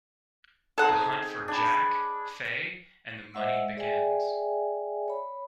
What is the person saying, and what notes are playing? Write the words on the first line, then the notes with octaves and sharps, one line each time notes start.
The hunt for Jack, Fay and the money begins.
C4 D#4 G#4 A4 F#5
D4 G#5 B5
G#3 C5 D#5 E5 F#5 E6
G#4 D5 E5 G5 G#5
C#5 B5